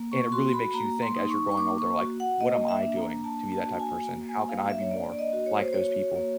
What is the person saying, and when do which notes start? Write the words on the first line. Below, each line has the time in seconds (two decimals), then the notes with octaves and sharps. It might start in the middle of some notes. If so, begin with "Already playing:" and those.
And it really makes you think as you're growing older, like, "What am I doing to be that type of person? How can I be more like those people?"
Already playing: A#3
0.12 C#6
0.32 F#4 C6
0.53 B5
0.74 A#3 A#5
1.02 C6
1.16 D#4
1.30 C#6
1.52 C#6
1.57 A#3 D6
1.78 C#6
1.99 F#4
2.20 F#5
2.41 A#3 D#5
2.68 E5
2.83 D4
2.96 A#5
3.24 A#3 A5
3.52 A5
3.65 F#4
3.80 G#5
4.07 A#3
4.29 G#5
4.49 D4 F5
4.70 E5
4.80 C#5
4.91 A#3 D5
5.12 D5
5.19 D#5
5.33 F#4
5.46 C#5
5.60 C5
5.73 F#4 C#5
6.16 A#3